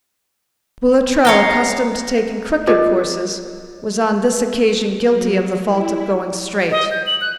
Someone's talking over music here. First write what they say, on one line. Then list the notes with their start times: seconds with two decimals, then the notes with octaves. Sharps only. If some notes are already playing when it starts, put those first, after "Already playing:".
Boulatruelle, accustomed to taking crooked courses, was on this occasion guilty of the fault of going straight.
1.25 C#5 F5 G5 A#5
2.67 F4 G#4 A#4 C5 D5 D#5
5.10 F#3
5.66 E4
6.71 D#5
6.91 G6
7.07 F#7
7.21 F#6